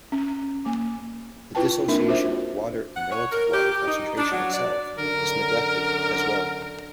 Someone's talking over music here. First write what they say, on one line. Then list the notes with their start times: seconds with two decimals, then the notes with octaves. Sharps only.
The dissociation of water and relative water concentration itself is neglected as well.
0.12 C#4
0.65 A#3 G#5 D6
1.55 E4 F4 B4 G5 A5
1.88 A#3 C4 D4 D#4 A#4 E5
2.07 F4 F#4 C5 E5
2.96 F#5
3.11 C#5
3.32 A#4
3.52 G4
3.71 G4
3.86 D#4
4.18 D4
4.32 F#3
4.53 D5
4.98 F#2 D3 A#4